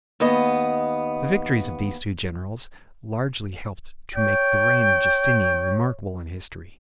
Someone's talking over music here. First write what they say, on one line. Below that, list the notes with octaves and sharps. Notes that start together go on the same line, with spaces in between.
The victories of these two generals largely helped to make the reign of Justinian remarkable in history.
D#2 B3 D#5
C#5 G5